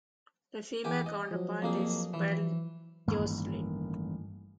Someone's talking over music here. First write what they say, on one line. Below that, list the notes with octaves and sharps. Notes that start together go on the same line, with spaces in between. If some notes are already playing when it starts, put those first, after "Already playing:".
The female counterpart is spelled "Jocelyne".
E2 G4 G#5
D#5
F3 F#3
F2 A#3 G#4
E3
A1 G2 D#3 A#3